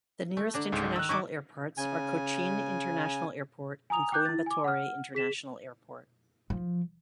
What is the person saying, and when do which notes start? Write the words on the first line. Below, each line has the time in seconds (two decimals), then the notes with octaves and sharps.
The nearest international airports are Cochin International Airport and Coimbatore International Airport.
0.37 A3
0.54 D3 D4 A#5
0.72 C#2 G#2
0.96 D#3 E6 F#6
1.09 D#4 E4 A4 C#6 D6
1.78 C#3 G#5
3.90 G#5 A#5 D#6 F7
4.12 G5 D6 F#6 G6
4.25 E4 A6
4.46 G#5 D6
4.64 F#5 F6
5.15 G#4 B6 E7
6.50 F3